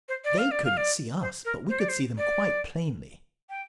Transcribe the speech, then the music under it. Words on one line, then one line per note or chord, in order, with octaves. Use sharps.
They couldn't see us, but we could see them quite plainly.
C5
D5
F5
D5
F5
D5
C5
A#4
C5
D5
C5
D5
G5